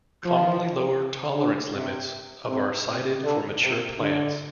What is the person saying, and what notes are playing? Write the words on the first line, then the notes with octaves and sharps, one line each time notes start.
Commonly lower tolerance limits of are cited for mature plants.
F3
D3
C3
C3
C3
D3
C3
D3